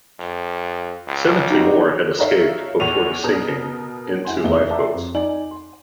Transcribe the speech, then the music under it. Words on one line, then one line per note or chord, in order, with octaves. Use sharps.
Seventy more had escaped before the sinking in two lifeboats.
F2
C#2
D#4 F#4 G4
D#4 A4 A#4 C#5 E5 F5
E2 C#6 D#7 F7
B2 A#4 D#6
E4 F#5 G#5 C6
F1 E2 B3 D#5 E5 G7
D5 E5 G5 A5 A#5 D6
F2
D#4 D5 G#5 F#7
C6